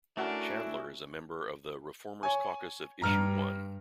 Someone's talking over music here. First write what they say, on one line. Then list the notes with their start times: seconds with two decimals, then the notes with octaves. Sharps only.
Chandler is a member of the ReFormers Caucus of Issue One.
0.17 A3 C#4 D4 E4 F#4 A#4
2.23 C#5 G#5
3.02 G2 A#5 F6 C#7